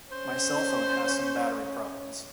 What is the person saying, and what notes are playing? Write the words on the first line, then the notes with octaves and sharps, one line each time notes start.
My cellphone has some battery problems.
C#4 C5